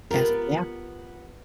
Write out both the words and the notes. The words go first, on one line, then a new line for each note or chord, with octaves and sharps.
That's yeah.
B3 F4 G4 A#4